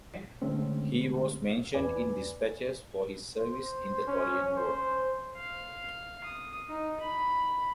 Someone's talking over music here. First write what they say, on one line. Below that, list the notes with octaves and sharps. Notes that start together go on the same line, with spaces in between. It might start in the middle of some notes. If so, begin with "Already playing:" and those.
He was mentioned in dispatches for his service in the Korean War.
D3 G#3 A3 C4 C#4
E2 B4 D5 G#5
C5
C#4
C5
F5
D#6
D#4
B5